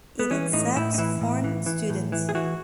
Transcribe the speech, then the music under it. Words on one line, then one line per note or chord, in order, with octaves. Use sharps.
It accepts foreign students.
B3
E3 C#4
A2 D#4
A2 E4
D#4
E3 E4
A2
E3
E3
A2
E3
G#4
E3 F#4